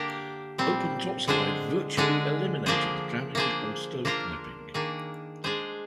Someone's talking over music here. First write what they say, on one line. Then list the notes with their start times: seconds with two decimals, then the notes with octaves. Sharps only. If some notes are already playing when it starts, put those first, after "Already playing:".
Open top slide virtually eliminated jamming or stovepiping.
Already playing: D3 A#3 D4 G4 A#4
0.58 A#2 G3 C4
1.27 D3 G#3 D4 G#4 C5
1.97 D3 G#3 D4 G#4
2.66 F3 A#3 D4 G#4 C5
3.35 A#3 D4 G#4 C5
4.05 A#3 D4 F4 A#4
4.74 D#3 A#3 D4 G#4
5.44 G#3 D4 G#4 C5